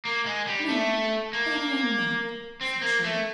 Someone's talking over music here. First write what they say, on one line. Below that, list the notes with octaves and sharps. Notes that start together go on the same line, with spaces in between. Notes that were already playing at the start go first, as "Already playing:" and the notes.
"No, that I am not," said she.
A#3
G#3
G3
A3
A#3
C4
A#3
A3